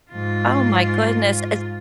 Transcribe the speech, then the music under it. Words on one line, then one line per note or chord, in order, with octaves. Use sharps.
oh my goodness, i
G#2 F4